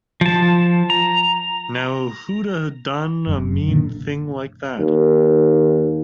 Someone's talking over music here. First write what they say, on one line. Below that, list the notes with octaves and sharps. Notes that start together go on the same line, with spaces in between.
Now who'da done a mean thing like that?
F3 A5
A#5
F#1 F#2
A#2 D3
D#2